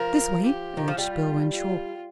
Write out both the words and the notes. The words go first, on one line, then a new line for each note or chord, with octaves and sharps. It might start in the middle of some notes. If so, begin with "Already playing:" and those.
"This way," urged Bill Renshaw.
Already playing: F3 A#4
G4
D#3
F3
G3 F4
F4